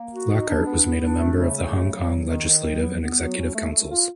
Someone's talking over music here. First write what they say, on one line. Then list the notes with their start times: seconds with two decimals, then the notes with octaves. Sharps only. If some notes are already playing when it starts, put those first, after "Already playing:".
Lockhart was made a member of the Hong Kong Legislative and Executive Councils.
Already playing: A#3
0.12 F#4
0.30 D#4
0.48 D4
0.65 B3
0.84 B3
1.02 D4
1.20 A3
1.38 C#3
1.56 A3
1.74 C#3
1.92 F#3
2.09 D#3
2.28 D#3
2.46 D#3
2.64 F#3
2.82 B3
3.00 B3
3.18 F#3
3.36 C#4
3.54 A3
3.72 A3
3.90 F4